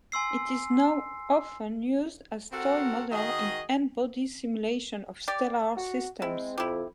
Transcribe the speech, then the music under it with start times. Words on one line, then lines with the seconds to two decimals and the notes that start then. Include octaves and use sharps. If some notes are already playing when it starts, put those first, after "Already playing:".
It is now often used as toy model in N-body simulations of stellar systems.
0.12 G#5 C6 E6 C7
2.52 C4 F#4 A4 A#4 F#5
3.12 D#3 F#4 G#4 D#5
5.28 G4 D5
5.77 F#4
6.22 G#3 C4 E4
6.58 F2 E4 G4